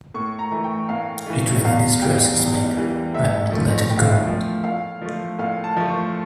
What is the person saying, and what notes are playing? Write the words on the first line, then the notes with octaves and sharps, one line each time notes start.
It really distresses me; I won't let it go.
A2 C#6
A#5
E3 A3
G5
A2 F5
E3 A3
E2 F5
E3 G3 G5
E2
E3 G3
A2 E5
F3 A3
A2 G5
F5
E5
F5
F3 A3
A2 F5
F3 A3
A2 F5
A5
F3 A3
C#6